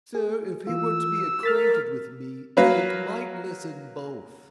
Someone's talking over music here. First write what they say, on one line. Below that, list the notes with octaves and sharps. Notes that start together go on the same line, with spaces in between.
'Sir, if he were to be acquainted with me, it might lessen both.'
G#4
E3 F4 E6
A#4 F6 A6 B6
F#3 A#3 B4 F5